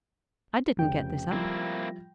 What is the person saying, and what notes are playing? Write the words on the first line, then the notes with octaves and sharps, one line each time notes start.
I didn't get this up.
F1 C#3 G5
F3 G3 A#3 C4 E4